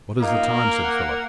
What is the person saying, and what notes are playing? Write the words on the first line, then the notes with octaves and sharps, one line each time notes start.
"What is the time?" said Philip.
A#3 D#4 F4
A#4
F#5